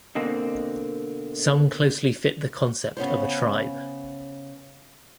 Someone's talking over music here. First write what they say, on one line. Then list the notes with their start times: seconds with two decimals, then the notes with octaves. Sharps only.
Some closely fit the concept of a tribe.
0.15 B2 D3 A#3 C4
2.97 C#3 B3 C#4 C5